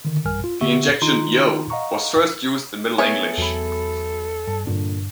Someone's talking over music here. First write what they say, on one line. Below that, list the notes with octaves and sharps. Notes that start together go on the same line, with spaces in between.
The interjection "yo" was first used in Middle English.
D3 D#3
A1 F#2 G3 A#4 G#5 F6
F4
D3 B3 G4 E5 F#5 C#6
D#3 D4 D#4 F4 A#5 C6
D#5 F5 F#5 A#5 C#6
A3 B3 G#4 C#5
E2 F#3 B3 A4 B5
G2 A5
G2 A#2 D3 D4